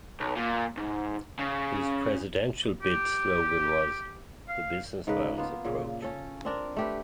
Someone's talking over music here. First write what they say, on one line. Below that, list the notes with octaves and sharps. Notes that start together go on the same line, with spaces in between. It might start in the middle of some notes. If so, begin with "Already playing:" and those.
His presidential bid slogan was "The Businessman's Approach".
B1
A#2
G#2
C#3
G4
F5
G#2 C#3 A#4 B4
A#3 B3 F4
A#2 C#3
C#4 A4
C4 D4 A#4
A3 G4 B4